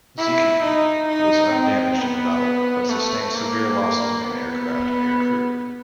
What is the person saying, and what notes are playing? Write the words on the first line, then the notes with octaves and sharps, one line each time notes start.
"Zuikaku" was undamaged in the battle, but sustained severe losses in aircraft and aircrew.
E4
D#4
D#4
C4
B3
A3
A#3
B3